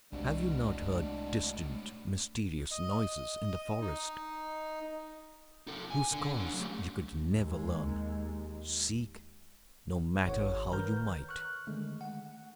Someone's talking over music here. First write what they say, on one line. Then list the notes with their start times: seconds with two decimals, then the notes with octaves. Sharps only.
Have you not heard distant, mysterious noises in the forest, whose cause you could never learn, seek no matter how you might?
0.13 C2 A2 G#3 D4 F#4
2.71 D#5
3.81 D#4
5.67 D#4 A4
5.90 G#5
6.12 D3
6.37 D3 C#4
6.54 F#3 A3
7.32 D#2 G#3
10.26 G#1 C#5 F#5 C#6
10.72 D#3 A#4 B4 A#5 F6 G6
10.97 G6
11.29 C#6 F6 F#6
11.67 D3 D#3 G#3 A3
12.01 F#5